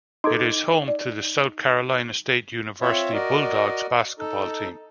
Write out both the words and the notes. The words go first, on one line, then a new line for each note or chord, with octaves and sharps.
It is home to the South Carolina State University Bulldogs basketball team.
D#4 A4 C6 D6 G#6
D5
C4 F4 C#5 E5
F#4 A#4 D5 D#5
D#4 A4